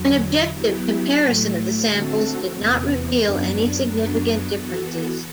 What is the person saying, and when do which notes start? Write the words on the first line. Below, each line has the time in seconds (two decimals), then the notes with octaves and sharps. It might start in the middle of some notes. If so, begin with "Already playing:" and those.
An objective comparison of the samples did not reveal any significant differences.
Already playing: E2 D3 F#3
0.52 F#3 B3 E4 G4
1.18 A2 F#3 A3
1.86 D3 A3 C4 F#4 A4
2.53 E2 C3 E3 B3
3.20 F#2 F#3 B3 D4
3.87 F#2 F#3 B3 D4
4.55 E3 B3 F#4 A4